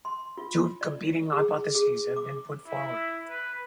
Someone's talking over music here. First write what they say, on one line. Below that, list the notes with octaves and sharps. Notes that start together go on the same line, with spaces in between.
Two competing hypotheses have been put forward.
C6
F4
D5
G#4
G#4
D6
E4
B4